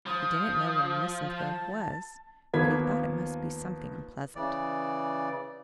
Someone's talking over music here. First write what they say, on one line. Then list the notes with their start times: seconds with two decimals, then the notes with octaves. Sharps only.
He didn't know what a misanthrope was, but he thought it must be something unpleasant.
0.07 F3 D#6
1.36 A5
2.54 D#2 F3 A#3 B3 G#6 B6
4.35 C#3 E3 D5